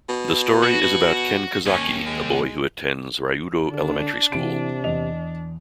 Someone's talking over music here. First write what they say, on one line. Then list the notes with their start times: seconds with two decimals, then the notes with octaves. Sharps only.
The story is about Ken Kazaki, a boy who attends Ryudo Elementary School.
0.09 B2
0.63 F#4
0.82 B2
1.66 D#2 C#4
2.06 G#3
3.70 D3 D4
4.32 C3 E3 D7
4.84 E2 D#5 F7